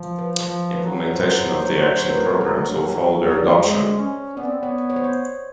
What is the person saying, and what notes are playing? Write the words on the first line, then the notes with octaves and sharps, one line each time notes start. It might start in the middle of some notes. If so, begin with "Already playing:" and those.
Implementation of the action programmes will follow their adoption.
Already playing: F3
B4
F3
B4
F#3
B4
C5
F#3 B4
C5
F#3 C#5
C5
C5
B4
A#4
B4
A4
D5
C#5
G#3 C5
C#4
B3 D5
C4
B3
C#5
C#5
C5
C#5